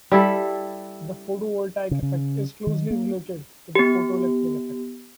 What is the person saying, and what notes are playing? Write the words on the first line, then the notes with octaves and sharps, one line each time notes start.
The photovoltaic effect is closely related to the photoelectric effect.
G3 E4 A4
C#3
C#3
D#3
A#3
B3 G4